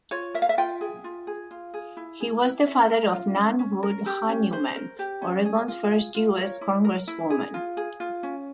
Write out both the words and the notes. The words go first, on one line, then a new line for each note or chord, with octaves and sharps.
He was the father of Nan Wood Honeyman, Oregon's first U. S. congresswoman.
F4 C#5
A#4 E5
F5
E5
F4 G5
G#4
F4
G#4
F4
G#4
E4
G#4
E4
C#4 E5
A#4
F4
C#4
C#4
A#4
G4
C#4
C#4 C5
A#4
G4
C#4
G#4
F4
G#4
F4
A#4 C#5
E4
A#4
E4
G#4
F4
G#4
F4
C#4